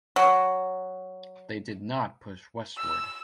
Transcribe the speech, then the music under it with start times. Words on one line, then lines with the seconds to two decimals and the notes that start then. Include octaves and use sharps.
They did not push westward.
0.16 F#3
2.78 E6